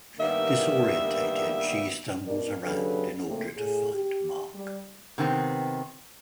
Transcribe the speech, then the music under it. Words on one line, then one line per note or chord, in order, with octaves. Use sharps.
Disoriented, she stumbles around in order to find Marc.
G2 D#3 G3 A#3 B3 E5
B2 D#4 A#4 D5
C#3 F#3 D4 G4 A4 B4
A#2 C#3 A3 A#3 C4
A2 G#4
G4
G3
C3 D#3 B3 C4